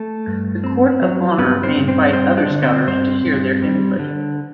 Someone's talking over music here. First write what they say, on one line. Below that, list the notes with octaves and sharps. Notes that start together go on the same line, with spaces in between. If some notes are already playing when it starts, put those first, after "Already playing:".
The Court of Honor may invite other Scouters to hear their input.
Already playing: A3 A4
G2
C4
F#3
G2 B3 B4
C4 C5
G2
C4 C5
G3 C4 C5
C5
D4 D5
D3
C4 C5
G2 C4 C5
G2
G3
D3